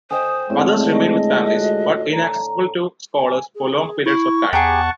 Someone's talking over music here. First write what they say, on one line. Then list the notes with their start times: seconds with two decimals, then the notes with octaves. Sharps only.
Others remained with families, but inaccessible to scholars for long periods of time.
0.11 C5 D#5 G5 G#5 D#6
0.50 A2 D3 G#3 C4 D5
0.89 D#5
1.55 F4 F#4
2.13 A5 A#5
3.18 G#5
3.55 G#4
4.06 E4 C#6
4.53 E2 G4 G#4 F#5 A5 A#5 C#6